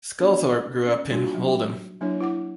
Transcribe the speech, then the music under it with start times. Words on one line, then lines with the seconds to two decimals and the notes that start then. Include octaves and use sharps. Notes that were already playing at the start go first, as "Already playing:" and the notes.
Sculthorpe grew up in Oldham.
0.20 B3 D4 F#4
0.87 C#4
1.11 G3 A#3 D4 D#4 F4 F#4
1.34 F#3 D#4
2.01 F#3 A#3 D4 E4 C#5
2.21 E4 F#5 D6